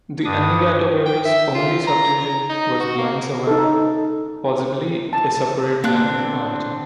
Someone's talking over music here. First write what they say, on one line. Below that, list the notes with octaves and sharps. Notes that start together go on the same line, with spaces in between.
The Anigatogewi's only subdivision was Blind Savannah, possibly a separate clan in origin.
G2 D4 D#6
G5
E5
F4
A#5
A#5
D#4
F#4
A#3
D#4 A4
A5
D3 A#3 C4 D4 F#6